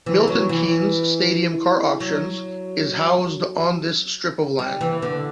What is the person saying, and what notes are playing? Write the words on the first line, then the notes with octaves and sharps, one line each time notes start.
Milton Keynes Stadium Car Auctions is housed on this strip of land.
E3
F#3
E3
F#3
G3
E3
D3